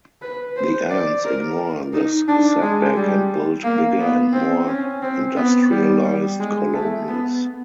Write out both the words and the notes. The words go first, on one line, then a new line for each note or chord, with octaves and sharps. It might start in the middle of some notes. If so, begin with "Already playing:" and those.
The ants ignore this setback and build bigger and more industrialized colonies.
B4
C5
D5
A#4
D#4
D4
G#3
G3
A#3
B3
C4
C#4
C4
B3
G3
G3
G#3
A3
B3